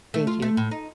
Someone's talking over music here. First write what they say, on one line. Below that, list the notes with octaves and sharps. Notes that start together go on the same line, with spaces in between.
thank you.
A3
F4
A3
A2
D#4